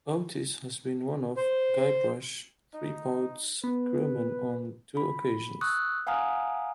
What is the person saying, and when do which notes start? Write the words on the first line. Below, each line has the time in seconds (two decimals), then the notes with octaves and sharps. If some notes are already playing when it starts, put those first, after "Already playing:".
Otis has been one of Guybrush Threepwood's crewmen on two occasions.
1.37 C5
2.74 D#4
3.64 B3 B4
4.97 B5
5.61 C#6 D#6 E6 F#6
6.07 F5 F#5 G#5 A#5 D#6 F6